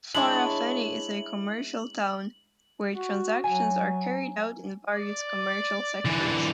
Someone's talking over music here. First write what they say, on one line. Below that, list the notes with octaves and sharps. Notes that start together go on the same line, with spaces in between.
Farafenni is a commercial town, were transactions are carried out in various commercial sectors.
G#3 D4 E4 C#5 F#7
F#4
F#3 G#5
D5
D3 E3